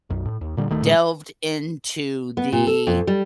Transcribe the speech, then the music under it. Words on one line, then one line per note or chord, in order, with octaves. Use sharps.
delved into the
B1 F#2
A2
D#2
A#2 D3 G3
D1 D#3 A3
A2 D3 F3 G#3
B3
A#2
A4
F2
G3